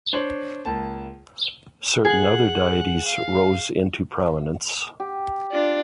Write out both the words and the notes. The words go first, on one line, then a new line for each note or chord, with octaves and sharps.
Certain other deities rose into prominence.
D4 C5 C#5 F#7
C#2 A#3 A5
G#4 F#5 F#6
F5
G4
D4 F4 D5